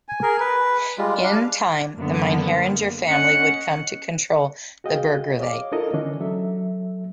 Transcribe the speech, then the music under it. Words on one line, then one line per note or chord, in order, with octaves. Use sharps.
In time the Meinheringer family would come to control the burgravate.
G#5
G#4 A#4
B4
G3 G#3 F4
D4 F5
F#2 D3 A#3 B3
C#4 D#5 F#5 C#7
F#4 G#4 D#5 F5 G5
C#5 D#5 F5 D6
D4 E4 F4 A4 A#4 D#5
D3 E3 C#4 D4
F#3 A4 E5